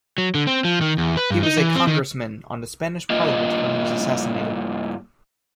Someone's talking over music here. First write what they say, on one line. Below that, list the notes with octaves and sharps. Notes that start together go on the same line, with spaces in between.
He was a congressman on the Spanish Parliament when he was assassinated.
F#3
D3
C4
F3
D#3
E2
B4
G2
D#4
E3
C4
D#3
G2 A#3 F4 D#5